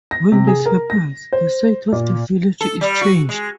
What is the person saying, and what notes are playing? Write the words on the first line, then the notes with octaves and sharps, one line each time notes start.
When this happens, the site of the village is changed.
A#6
C3
G#4
A#4
A#6
C5
A#2
A4
G3
F#4
G#3